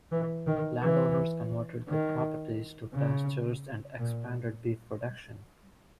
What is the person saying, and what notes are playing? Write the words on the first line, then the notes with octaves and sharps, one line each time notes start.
Landowners converted their properties to pastures and expanded beef production.
E3
D#3
E3
D#3
C#3
A#2